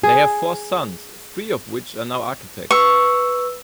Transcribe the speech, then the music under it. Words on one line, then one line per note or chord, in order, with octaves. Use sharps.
They have four sons, three of which are now architects.
G#4
B4 C#6 E6